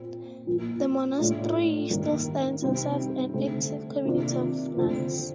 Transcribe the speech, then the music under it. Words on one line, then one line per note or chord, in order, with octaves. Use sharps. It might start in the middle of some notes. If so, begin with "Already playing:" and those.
The monastery still stands and serves an active community of nuns.
Already playing: A#2 C4
A#2 F3 A#3
A2 A3 D4 F4
G2 D#3 A#3
C3 G3 C4 D#4
D3 A3 C4
C3 D#3 A#3 D4 F4
F2 D3 F3 C4